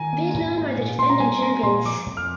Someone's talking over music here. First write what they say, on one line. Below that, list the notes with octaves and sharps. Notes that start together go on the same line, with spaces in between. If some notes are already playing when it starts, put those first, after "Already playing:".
Vietnam are the defending champions.
Already playing: D#3 G#5 A#5
A#3
G#2
A#3
A#2
A#2 C6
A#5
G3 G#5
A#3 A#5
A#2 C6
F3 D6
F2
F6